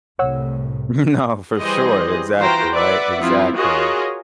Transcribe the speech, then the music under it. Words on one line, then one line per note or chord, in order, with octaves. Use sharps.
No, for sure, exactly, right, exactly.
C2 A2 C#5 F#5 E6
E3 G3 G#4 C5 D#5
E3 F4 F#4 C5 G5 A#5
B4 D5 E5 F#5
F3 C4 E4 F4
F4 F#4 G#4 A#4 C#5 D#5